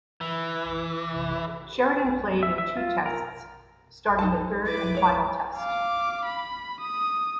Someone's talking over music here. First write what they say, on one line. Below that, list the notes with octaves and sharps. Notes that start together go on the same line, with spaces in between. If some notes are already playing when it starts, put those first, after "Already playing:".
Sheridan played in two Tests, starting the third and final Test.
E3
E5
E5
F4
A#4
D#4 A4 A5
E4 B4 D6
G#3 C#5
F5 D6
B5
D#6